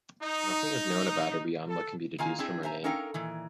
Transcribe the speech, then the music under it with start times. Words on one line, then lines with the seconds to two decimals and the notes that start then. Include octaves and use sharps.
Nothing is known about her beyond what can be deduced from her name.
0.21 D#4
1.68 A4
2.18 D#3 A#3 F4 F5 G#5
2.39 C4 D4 E4 G#4
2.63 C5 E5 G#5 A#5
2.84 C#4 D#4 A4 A#4 F5 G5
3.14 A#2 D#3 E3